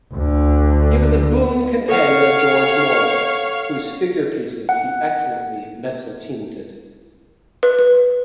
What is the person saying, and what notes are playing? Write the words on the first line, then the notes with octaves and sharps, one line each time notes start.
He was a boon companion of George Morland, whose figure-pieces he excellently mezzotinted.
D2 D3
A4 C#5 F5 F#5
F#5
B4